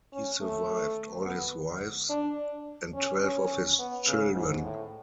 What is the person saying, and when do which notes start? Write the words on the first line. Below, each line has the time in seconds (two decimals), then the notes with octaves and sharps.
He survived all his wives and twelve of his children.
0.13 C#4
0.41 A3
1.25 B3
2.09 D4
2.94 C#4
3.23 C#4
3.79 B3
4.07 C#3
4.35 G#2
4.63 A2